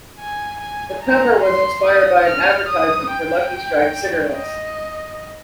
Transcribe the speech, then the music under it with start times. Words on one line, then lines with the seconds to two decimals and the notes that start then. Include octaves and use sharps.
The cover was inspired by an advertisement for Lucky Strike cigarettes.
0.19 G#5
0.60 G#5
1.02 A#5
1.44 C6
1.85 D#6
2.27 F6
2.68 D#6
3.10 G5
4.34 D#5